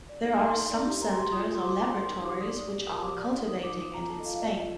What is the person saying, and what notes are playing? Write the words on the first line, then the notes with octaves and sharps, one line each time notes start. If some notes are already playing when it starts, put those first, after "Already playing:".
There are some centers or laboratories which are cultivating it in Spain.
D5
D#4
A4 C6
D#4
D5
G4
A#4 A#5
C6
G4
C6
F4 D#6
F4
C6
C5 D6
C5 D6
A#4 C6
D#4
G4 D6
D5 D#6
D5
G4
A#4 D#6
G4 D6
D5 D#6
D#4
A#4 D#6
D#4 D6
C5 D6
F4 A#5
A4 A5
D#5
F4 F5
F5
D5 D#5
F4 D#5